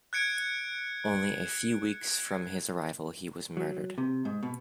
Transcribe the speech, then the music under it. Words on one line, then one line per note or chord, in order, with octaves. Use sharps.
Only few weeks from his arrival he was murdered.
F#6 G#6 C#7 D7
F#3
C3
G#2
B2